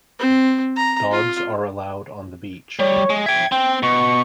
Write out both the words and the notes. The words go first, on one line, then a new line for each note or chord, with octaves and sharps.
Dogs are allowed on the beach.
C4
A#5
F4
G3 C#5
G#3
E5 G5 G#6
C4 G5
B2 C#6